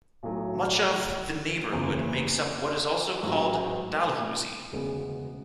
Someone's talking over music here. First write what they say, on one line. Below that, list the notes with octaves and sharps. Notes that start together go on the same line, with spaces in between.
Much of the neighbourhood makes up what is also called Dalhousie.
B1 A2 F#3 A3
F#1 E2 C#3
A1 G#2 F#3
E1 D2 C#3 G#3 B3